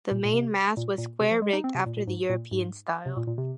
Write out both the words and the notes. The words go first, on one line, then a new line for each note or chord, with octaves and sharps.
The mainmast was square-rigged after the European style.
A#2
A#2
C3
A#2
A#2
C3
F3
G#3
D#4
C4
C3
A#2
A#2
G#2
A#2
G#2
C3
A#2
A#2
C3